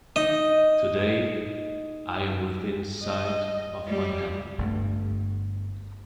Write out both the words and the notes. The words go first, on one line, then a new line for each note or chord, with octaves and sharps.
Today, I am within sight of my heaven.
D#4 D#5
D#5
G3
G1 G2 A3